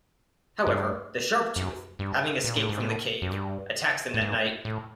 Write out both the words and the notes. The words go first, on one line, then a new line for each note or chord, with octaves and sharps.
However, the Sharptooth, having escaped from the cave, attacks them that night.
G2
F#2
G2
A#2
A2
G#2
A2
F#2
G2
A2
G#2
A2